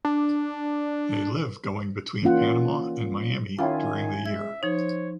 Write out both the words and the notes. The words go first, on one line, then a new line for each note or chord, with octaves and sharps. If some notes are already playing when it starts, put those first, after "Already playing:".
They live going between Panama and Miami during the year.
D4
E3 A#3 C#4 D#4 F4 F#5
D#3 C#4 E4 F4 G5 G#5
G#3 E5 G#6
F3 D#4 C5 C#5